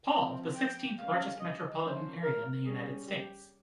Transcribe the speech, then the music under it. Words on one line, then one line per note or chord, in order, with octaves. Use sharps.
Paul, the sixteenth largest metropolitan area in the United States.
F3 C4
G5
G3 A#3 C#4 F5
D#5
F3 A#3 C#4 C5
A#4
G3 C#4 G#4
G4